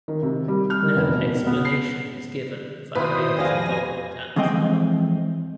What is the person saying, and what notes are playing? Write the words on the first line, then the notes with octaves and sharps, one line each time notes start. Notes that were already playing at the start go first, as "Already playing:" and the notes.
No explanation was given for Arion's involvement at the time.
D#3
C3
G3
F6
D#3
F1
B2
B2
B3
C7
B2 D#3 B3 E4 B4 C5 D#6
F2 G4 D5 F5 G#5 A#6
F2 E3 G#3 C4 D#5 G5